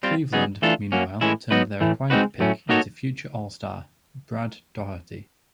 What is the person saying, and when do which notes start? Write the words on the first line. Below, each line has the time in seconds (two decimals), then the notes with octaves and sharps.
Cleveland, meanwhile, turned their acquired pick into future All-Star Brad Daugherty.
0.03 G3 C4 F4
0.33 C#3 F#3 B3 D#4 G#4
0.62 E3 A3 D4 F4 A4
0.92 F#3 A#3 C#4
1.21 A2 E3 G#3 C#4 E4
1.51 F#3 B3 D#4 F#4 B4
1.81 A2 E3 A3
2.10 G#3 C4 D#4 F#4 B4
2.40 A2 F#3 A3 C#4
2.69 A#3 D#4 F#4 A4 C#5